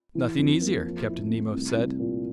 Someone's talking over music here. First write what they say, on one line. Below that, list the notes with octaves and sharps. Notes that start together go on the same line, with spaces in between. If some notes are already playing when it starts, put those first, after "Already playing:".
"Nothing easier," Captain Nemo said.
E3
F2
A#3
F3
E4
A3
C2
C2
A#2